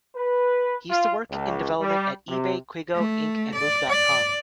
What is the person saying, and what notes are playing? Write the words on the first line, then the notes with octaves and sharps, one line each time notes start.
He used to work in development at eBay, Quigo, Inc and Move dot com.
B4
F4
C#2
G3
C3
A3
D5
D5